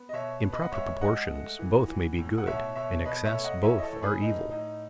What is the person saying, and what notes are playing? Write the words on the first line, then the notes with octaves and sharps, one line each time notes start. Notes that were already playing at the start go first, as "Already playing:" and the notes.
In proper proportions both may be good, in excess both are evil.
Already playing: B3
D#5
B2 C#5 E5
B3
B4 D#5
F#5
G#3 C#5 E5
G#3 D#5 F#5
A3
E3
E3
A2
F#5
B2 C#5 E5
B2 C#5 E5
B2 B4 D#5
C#5 E5
A3
D#5 F#5
E3 C#5 E5
D#5
A4 C#5
A2
G#4 B4
A2 D#4
A2 D#4